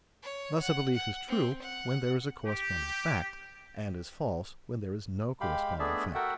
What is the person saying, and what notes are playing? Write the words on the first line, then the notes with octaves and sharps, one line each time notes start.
Thus a belief is true when there is a corresponding fact, and is false when there is no corresponding fact.
C#5
F#5
F#5
C4
F#5
G4
G#3 G4 F5 G5 B5
A3 B3 D4 G#4 D5 E5
F#4 A4 A#4 E5 F#5 G5